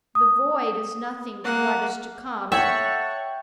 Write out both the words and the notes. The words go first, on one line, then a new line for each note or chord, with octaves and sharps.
"The Void is nothing to what is to come."
D#6
A#3 F#5
A4 C#5 E5 F#5 G5 C#6